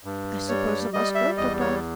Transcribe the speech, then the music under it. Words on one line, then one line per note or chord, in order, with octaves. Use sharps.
"I suppose I must go, papa?"
G2
G3 C#5
G3 D#5
E5
E2 D#5
C#5